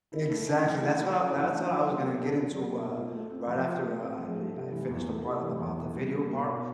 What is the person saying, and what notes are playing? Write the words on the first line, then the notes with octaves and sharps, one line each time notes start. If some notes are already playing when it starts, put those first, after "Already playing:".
exactly. That's what I that's what I was gonna get into, uh, right after I I I finished the part of about the video part.
E4
A3
C#4
E3
E4
A3
C#4
E3
D4
F#3
A#3
B2
D4
F#3
A#3
B2
F4
A3
C4
F3
F4
A3
C4
F3
A3
C3
E3
E2
A3
C3
E3
E2
B2
G3
A#3
B2
B2